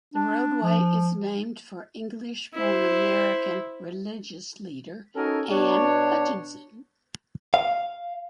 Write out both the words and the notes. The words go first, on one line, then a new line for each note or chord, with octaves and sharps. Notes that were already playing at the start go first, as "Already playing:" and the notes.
The roadway is named for English-born American religious leader Anne Hutchinson.
D4
F3
E4 C5
C#4 D#4 F#4 A4 A#4 G#5
B2 D4 C#5
F5